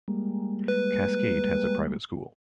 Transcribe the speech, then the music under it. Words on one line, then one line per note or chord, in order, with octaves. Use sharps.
Cascade has a private school.
G3 G#3 A#3
B4